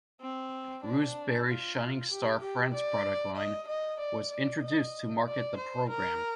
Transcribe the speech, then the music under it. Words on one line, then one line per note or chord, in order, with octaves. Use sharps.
Russ Berrie's Shining Star Friends product line was introduced to market the program.
C4
D4
F4
G4
G4
D5
D#5
D#5
D5
D5
D#5
D5
C5
A#4